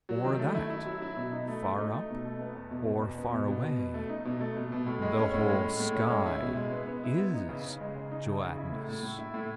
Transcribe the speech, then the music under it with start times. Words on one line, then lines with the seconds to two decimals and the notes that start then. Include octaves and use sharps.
Or that, far up, or far away, the whole sky is gelatinous?
0.09 F#3
0.25 D#3
0.39 A3
0.55 E4
0.70 E4
0.86 F#3
1.02 E4
1.16 B2
1.32 D#4
1.48 A3
1.63 A3
1.78 D#4
1.93 A3
2.10 B2
2.25 A3
2.41 B3
2.55 E2
2.71 B2
2.86 B2
3.01 E2
3.18 B3
3.33 B2
3.48 B2
3.64 B2
3.80 B2
3.94 A3
4.09 D#4
4.25 B2
4.41 A3
4.57 B2
4.72 B2
4.87 A2
5.02 G#3
5.17 C#4
5.33 A2
5.49 G#3
5.64 A2
5.80 A2
5.95 C#4
6.10 G#3
6.26 E4
6.42 B2
6.57 G#3
6.72 B3
6.87 B3
7.04 E4
7.18 B3
7.34 D#4
7.49 C#3
7.65 C#3
7.81 G#3
7.96 C#3
8.11 D#4
8.26 C#3
8.42 C#3
8.57 E4
8.73 A2
8.88 A2
9.03 A2
9.19 E4
9.34 A2